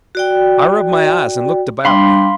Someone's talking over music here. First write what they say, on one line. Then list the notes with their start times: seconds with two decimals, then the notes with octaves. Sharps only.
I rubbed my eyes and looked about me.
0.15 F#4 D5 G5
1.85 G3 D4 F5 B5 C6